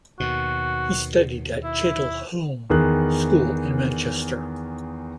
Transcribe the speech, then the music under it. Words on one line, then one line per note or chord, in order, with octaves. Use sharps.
He studied at Cheadle Hulme School in Manchester.
D#2 B2 F#4
E4
E2 D#3 G#4 F#6